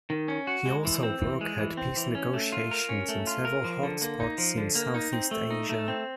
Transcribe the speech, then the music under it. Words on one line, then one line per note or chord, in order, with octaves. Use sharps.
He also brokered peace negotiations in several hot spots in Southeast Asia.
D#3
C#4
F#4
G#3
E3
C4
E3
G#3
E3
C4
E3
C#4
A3
F4
A#4
C#4
A3
F4
A#4
F3
D3
A#3
D#4
F3
D3
A#3
D#4
C4
A3
D#4
A3
C4